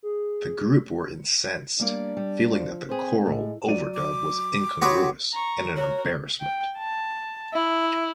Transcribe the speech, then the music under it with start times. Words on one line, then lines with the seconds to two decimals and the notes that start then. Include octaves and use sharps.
The group were incensed, feeling that the choral overdub was incongruous and an embarrassment.
0.03 G#4
1.79 G3 A#3 D4 D5
2.17 G3
2.54 F3
2.89 C4 G#4 B4 C5
3.26 A2 G#3
3.68 F#3 D5 D#7
3.95 D6
4.82 F#4 G4 B4 C#5 C6 D#6
5.33 A#5 C#6
5.77 F#4 A#4 C#5
6.41 G5
6.78 A5
7.54 E4